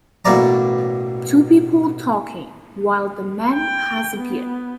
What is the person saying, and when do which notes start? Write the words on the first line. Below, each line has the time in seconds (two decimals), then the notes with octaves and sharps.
Two people talking, while the man has a beer.
0.25 A1 B2 A#3 E4 D5 A#5
3.53 G5
4.17 B3